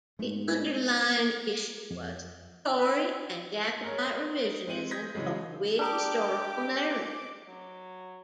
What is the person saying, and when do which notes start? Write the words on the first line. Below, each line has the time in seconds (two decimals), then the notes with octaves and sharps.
The underlying issue was Tory and Jacobite revisionism of the Whig historical narrative.
0.19 G#2 G#3 A3 B3
1.91 F2
2.79 B4
3.65 C#7
3.84 A#4 C#5
4.05 D#6
4.68 G#3 C4 D#7 F#7
4.91 D#6 G6 G#6 A#6 B6
5.15 C#3 E3 F#3 G#3
5.79 D4 G4 B4 A#5 D6 D#6
7.46 F#3